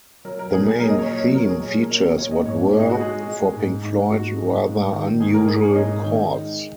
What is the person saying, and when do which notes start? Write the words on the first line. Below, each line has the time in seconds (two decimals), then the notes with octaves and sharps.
The main theme features what were, for Pink Floyd, rather unusual chords.
0.25 F#3 A#4
0.39 A#4
0.52 A#2 G#4
0.67 G#4
0.80 F#3 A#4
0.89 D#5
0.98 C#5
1.08 F#3
1.17 C#5
1.35 F#3 A#4
1.49 G#4
1.63 A#2 C#5
1.82 A#4
1.90 F#3 C#5
2.18 A#2 C#5
2.31 D#5
2.45 G#2 C#5
2.69 G#3 C#4
2.80 D#4
2.90 F#4
3.00 G#3 G#4
3.28 G#3
3.55 G#2
3.83 G#2
4.10 G#2 F#4
4.38 G#3
4.66 G#2
4.93 D#3
5.20 G#2 G#4
5.34 A#4
5.47 G#2 G#4
5.62 G#4
5.71 C#4
5.75 G#2 D#4
6.03 D#3
6.31 G#3